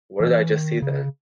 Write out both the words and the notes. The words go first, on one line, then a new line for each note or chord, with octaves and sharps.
What did I just see then?
E3
D#3
C#3